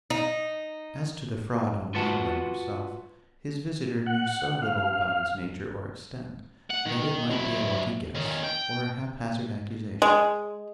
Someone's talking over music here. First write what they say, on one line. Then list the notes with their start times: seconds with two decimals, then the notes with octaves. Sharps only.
As to the fraud on Madeline herself, his visitor knew so little about its nature or extent, that it might be a lucky guess, or a hap-hazard accusation.
0.10 D#4
1.95 F4 F#4 B4 F#5 A5
4.07 F#5
4.62 F5
6.71 F#5
6.86 D#3
7.30 F#3 E4
8.15 D#3 C#4
8.44 G5
10.02 G#3